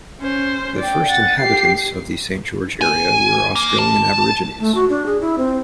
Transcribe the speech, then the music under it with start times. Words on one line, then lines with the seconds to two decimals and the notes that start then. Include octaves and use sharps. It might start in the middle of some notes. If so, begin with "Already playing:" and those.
The first inhabitants of the Saint George area were Australian Aborigines.
0.21 C#4 C5
0.79 D5 G5
1.09 F#5 A6
1.41 G4 C7
2.81 G#5
3.56 A#3
3.79 A5
4.60 A3
4.75 F#4
4.89 D4
5.06 G#4
5.21 E4
5.38 C4